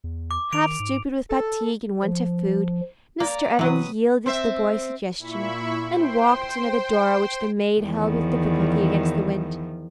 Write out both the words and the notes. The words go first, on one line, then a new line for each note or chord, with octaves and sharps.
Half stupid with fatigue and want of food, Mr. Evans yielded to the boy's suggestion, and walked in at the door which the maid held with difficulty against the wind.
E2
D6
D#3 D7 F7
G#2
A4
F3
A#3 D5 A#5
C3 E3 F#3 B4 D#6
C4 C5 E5
A#2 E4 E5 B5 C#6
C5 G5 C6
E2 D#3 F3